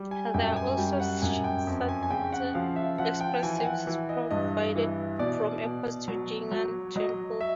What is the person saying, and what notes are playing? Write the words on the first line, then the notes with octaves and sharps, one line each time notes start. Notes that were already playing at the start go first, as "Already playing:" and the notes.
There are also Shuttle Express Service provided from airports to Jing'an Temple.
Already playing: G3
G#5
F#2 G5
G#5
G3 G5
F#5
F#2 G#5
G5
F2
G#5
G#5
C#3 G5
F#5
F3 F5
E5
F3 F#5
G5
E3 G#5
G5
F#5
E3
D#5
G2 D#5
E3
B2 D5
B2
F#3
F#3
F#3 D#5
E5